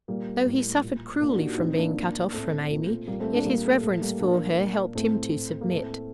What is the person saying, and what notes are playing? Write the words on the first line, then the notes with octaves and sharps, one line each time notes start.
Though he suffered cruelly from being cut off from Amy, yet his reverence for her helped him to submit.
A#2 G3 A#3
A2
A#2
A#2 A#3 D4
F#4
D#4 G4
F#4
A2 C4 D#4
A#3 D4
A#2
A2 A3 C4
A#2
A#2 G3 A#3
A3 C4
A#3 D4
A#2 G3 A#3
A3
A2 A3
G3 A#3
A#2 A#3 D4
A#2
A2 A3 C4
A2
A#3
A2 A3 C4